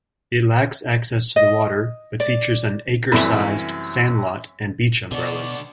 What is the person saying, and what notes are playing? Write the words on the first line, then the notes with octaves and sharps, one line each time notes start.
It lacks access to the water, but features an acre-sized sandlot and beach umbrellas.
D#5
D5
F#2 C3 E3 G3 A3
B2 D3 F#4 D5